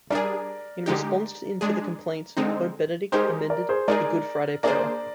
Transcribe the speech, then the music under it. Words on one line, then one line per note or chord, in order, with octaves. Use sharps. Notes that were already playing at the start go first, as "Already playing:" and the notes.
In response to the complaints, Pope Benedict amended the Good Friday prayer.
G3 D4 G#4 A#4 D5
D3 G#3 D#4 G4
G#3 D4 G#4
D3 G#3 C4 D#4
G#3 D#4 G4 G#4 A#4 C5
A#4 D5
G#4 C5
G#3 D#4 G#4 A#4 D5
A#3 D4 G#4 A#4 C5 D5